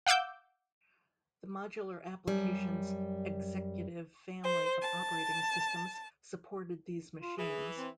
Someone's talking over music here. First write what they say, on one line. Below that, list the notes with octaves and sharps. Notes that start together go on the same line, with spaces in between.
The Modular Applications eXecutive family of operating systems supported these machines.
F5 F#5 D6 E6 G6
F#2 G3
C5
A5
F4
E3 G#4
C4